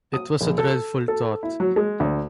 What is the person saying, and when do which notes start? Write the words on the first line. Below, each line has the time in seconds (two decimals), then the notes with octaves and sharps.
It was a dreadful thought.
0.13 D#6
0.41 A#1
0.58 A4
1.08 A4
1.43 E4
1.60 F#3
1.76 G#3
2.00 D2